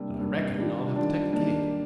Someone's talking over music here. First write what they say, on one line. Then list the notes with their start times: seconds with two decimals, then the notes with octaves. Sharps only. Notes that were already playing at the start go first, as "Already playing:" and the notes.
And I reckon I'll have to take the kid.
Already playing: C3 G3 A#3 D4
0.19 C3 G3 A#3 D4
0.56 D#3 G3 D4 F4
0.95 D#3 G3 D4 F4
1.32 D#3 A#3 D4